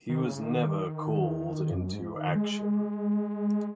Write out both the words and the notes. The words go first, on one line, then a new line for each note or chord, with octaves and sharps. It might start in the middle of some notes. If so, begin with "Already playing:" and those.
He was never called into action.
D#3
C#3
D#3
F#2
G#2
D#3
G#3